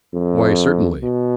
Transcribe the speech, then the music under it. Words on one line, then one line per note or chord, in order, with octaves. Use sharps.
"Why, certainly."
F2
B2